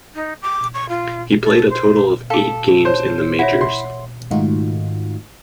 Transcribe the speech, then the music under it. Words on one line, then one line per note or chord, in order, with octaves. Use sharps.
He played a total of eight games in the majors.
D#4
D6
C#6
F4
A4
C5
A4 F5 D6
C5 C#5
E4 C#5 E5 F#5
C6
G#2 D#3 A3 D#4 F4 F#4